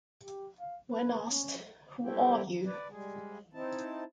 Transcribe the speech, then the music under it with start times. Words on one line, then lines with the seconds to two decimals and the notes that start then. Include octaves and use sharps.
When asked, Who are you?
0.23 G4
0.60 F5
0.91 B4
1.30 C#4
2.02 G3 A3 C4 E4 G4
2.65 B4 D5
2.90 G3 G#3 G#4
3.53 C4 D#4 E4 A5